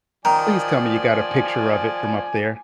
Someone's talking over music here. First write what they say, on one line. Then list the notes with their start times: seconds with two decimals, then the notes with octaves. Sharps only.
Please tell me you got a picture of it from up there.
0.25 D#3 F3 D5 G#5 A#5